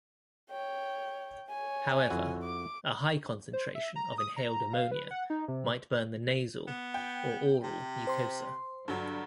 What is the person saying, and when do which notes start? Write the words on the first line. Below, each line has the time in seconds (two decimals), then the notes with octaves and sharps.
However, a high concentration of inhaled ammonia might burn the nasal or oral mucosa.
0.51 C#5 G5
1.50 C#5 G#5
2.10 F2 E4 F#4
2.43 D6
3.53 C5
3.75 E5
3.96 A#5
4.18 D#6
4.36 A#5
4.73 F5
4.91 B4
5.11 F#5
5.30 D#4
5.48 C3
6.67 B3
6.94 G5
7.63 C3
8.07 C5 C6
8.88 G2 D3 F#3